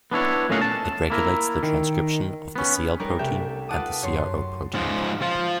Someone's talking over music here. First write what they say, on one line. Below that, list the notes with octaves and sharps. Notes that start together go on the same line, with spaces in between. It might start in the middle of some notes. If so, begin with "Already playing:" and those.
It regulates the transcription of the cI protein and the Cro protein.
B3 D4 E4 C#5
A#2 A3 C#4 D#5 F5 F#5
A5
A#3 E4 A#4
D#3
B3 C#4
G3 C#4 D#4 G4 A#4 B4
C2 A3 G4 E5 G6
F4 B4 F#5 A5 D6 D#6
F#2 C#5 C6
G#2 F3
F3 F4